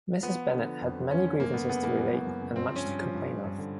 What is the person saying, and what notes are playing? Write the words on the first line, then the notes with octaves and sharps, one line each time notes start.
Mrs. Bennet had many grievances to relate, and much to complain of.
F3 B3
F3
D3
F3
F2
F3
F3 C#4
D3
F#2 A#3
F#2 B3
C#3 B3
E3 A#3
F#2
F#2
F#2
C#3
G2 C4
F3
C#4
G2
F3
G2
F3
G2
D3